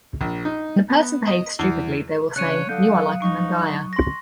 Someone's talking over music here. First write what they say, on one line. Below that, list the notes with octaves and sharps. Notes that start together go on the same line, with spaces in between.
When a person behaves stupidly they will say You are like a Mandaya.
A#1
D#4
B3
D#5
E2
C#3 D4 C#5 F#6 C#7 D#7
D3 F#3 F5 D#6 G6
D#4 C#6
C6 A#6